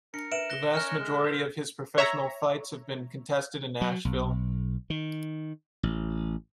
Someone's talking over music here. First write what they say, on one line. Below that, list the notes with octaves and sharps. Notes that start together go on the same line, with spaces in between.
The vast majority of his professional fights have been contested in Nashville.
D4 A#4 C#7
B4 E5 D7 E7 F#7
F#6 A#6 G7
C#4 A#4 C#5 F6 F#6
G#3
A4 A#4 C5
C#5 E5 A#5
F#3
B1
D#3
A1